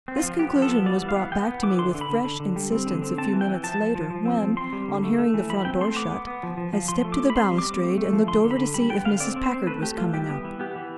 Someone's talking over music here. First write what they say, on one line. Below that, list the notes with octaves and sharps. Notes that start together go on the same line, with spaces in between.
This conclusion was brought back to me with fresh insistence a few minutes later, when, on hearing the front door shut, I stepped to the balustrade and looked over to see if Mrs. Packard was coming up.
C4
F4
F3
B3 G4
F3
A4
B3
G3 D5
E3
F5
B3
B3 G5
B3
E3 D6
D3 C6
D3
B5
D3
D3
D3
G3
C4
D3
C4
C4 A5
E3
G5
E3
F3 A5
F3
F3
F3
C4
F3
C4 C6
G3
D3
A3
A3
E3
F3 B5
C4 G5
A3 C6
B3 D6
B3
B3
F3
F3
F3
F3 C6
A3
D6
F3
B5
C4 C6
G3
D6
C4
A3
A3
F3
D3 C6
D3
B5
D3
G3 B5
B3 G5
D3 F5
C4 D5
C4
C5
C4
A3 B4
A3 G4
E3 F4
G3 G4
B3
E3
B3 G4
E3